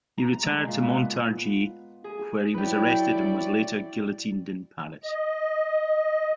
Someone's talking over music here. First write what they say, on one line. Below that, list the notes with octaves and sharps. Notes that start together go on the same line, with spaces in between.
He retired to Montargis, where he was arrested, and was later guillotined in Paris.
A#5
G#3
A#2
B3
G#4
F#3 E4 G4 B4 D5
D#5